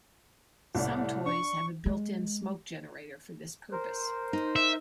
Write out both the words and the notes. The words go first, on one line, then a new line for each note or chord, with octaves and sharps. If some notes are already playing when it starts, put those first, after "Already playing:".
Some toys have a built-in smoke generator for this purpose.
C2 A2 D5
D4 C#6
G#3
A#4 C5
D#4
E5